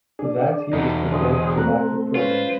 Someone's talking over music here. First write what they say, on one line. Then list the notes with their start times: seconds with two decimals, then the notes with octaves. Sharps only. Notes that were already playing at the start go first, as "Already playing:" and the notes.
For that, he was condemned to life in prison.
0.19 D4 G#4
0.73 E2 B2 D#4 A4
1.12 D3 G#4 C5 D#5
1.58 A3 C4 A#5 F#6
2.16 G#3 C#4 F4 B4 C5